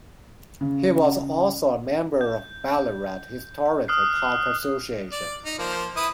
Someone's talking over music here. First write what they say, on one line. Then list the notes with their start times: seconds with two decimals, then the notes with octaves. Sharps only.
He was also a member of Ballarat Historical Park Association.
0.61 C#3
2.21 G6
3.88 D#6 F6 F#6 C7
5.12 D5
5.45 D#4
5.59 F3 A#3 C5
5.96 E4 B4 D#6